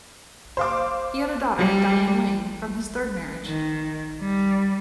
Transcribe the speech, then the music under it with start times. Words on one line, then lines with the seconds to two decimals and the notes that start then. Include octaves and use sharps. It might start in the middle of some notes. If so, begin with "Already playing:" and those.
He had a daughter, Diane Lane, from his third marriage.
0.57 C5 F5 D6
1.58 G3
3.47 D#3
4.21 G3